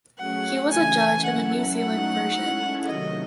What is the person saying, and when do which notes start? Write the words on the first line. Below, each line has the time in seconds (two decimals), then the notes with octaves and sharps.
He was a judge in the New Zealand version.
0.18 F#3 A3 C#4 G#4 F#5
0.71 C#3 E3 A3 C#4 G#5
1.24 F#3 C#4 E4 A4 F#5
1.78 F#3 A3 D#4 F#5
2.32 G#3 C#4 E4 A4 C#5
2.85 C3 D#3 F#3 A3 D#5